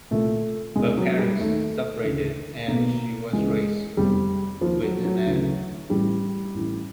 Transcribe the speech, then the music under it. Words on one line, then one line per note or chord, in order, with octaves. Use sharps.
Her parents separated and she was raised with an aunt.
C2 A#2 A3
E1 E2 C3 G#3
F#3
G3
D#2 D#3 A3
D2 C#3 E3
B1 B2 A#3
C#2 C#3 E3 G#3
F1 E2 C3 G3
D#2 D#3 F3
F#3
F#3
D2 C#3 E3
A1 A2 E3 G3
A1 A2 E3